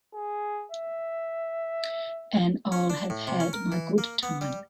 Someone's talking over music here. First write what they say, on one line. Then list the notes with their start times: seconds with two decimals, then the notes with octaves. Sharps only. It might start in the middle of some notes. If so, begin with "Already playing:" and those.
And I'll have had my good time.
0.14 G#4
0.72 E5
2.72 C#4
2.90 D4
3.10 A2
3.27 C3
3.40 C#4
3.53 A#4
3.72 E3
3.98 A#3
4.23 B3
4.41 G3